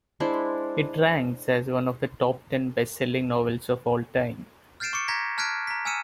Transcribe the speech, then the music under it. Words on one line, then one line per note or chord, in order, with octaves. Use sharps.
It ranks as one of the top-ten bestselling novels of all-time.
G#3 D4 E4 C5
F6 G6 A6 C7 D7 E7
C#6 D6 C#7
A#5 G6 G#6 A#6 B6
A5 F6 F#6 G#6 B6 D7
A#5 B6
G#5 E6 F6 C#7 D#7 E7